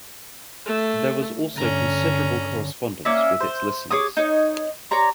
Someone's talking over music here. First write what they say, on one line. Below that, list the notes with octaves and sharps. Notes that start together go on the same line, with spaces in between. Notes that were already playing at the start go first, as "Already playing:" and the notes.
There was also considerable correspondence with its listeners.
A3
G2 D3 C#4 A#5
A#3 C#4 D5 E5
C5
G#4 C#5 D6 D#6
D#4 C#5
C#5 D5 A#5 C6